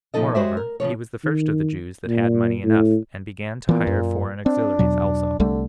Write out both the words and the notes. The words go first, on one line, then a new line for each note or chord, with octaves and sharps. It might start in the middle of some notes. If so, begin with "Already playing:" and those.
Moreover, he was the first of the Jews that had money enough, and began to hire foreign auxiliaries also.
A#2 F3 D#4 A4 D#5
G#3 F#4 G4 C5 C#5 E5
A#4
C#3 E3 F3 C#5
D#3
A#2
A2
A#2 E3 B3
F#2
C4 D4
E2 B2 F#3
C2 D3 G3 A3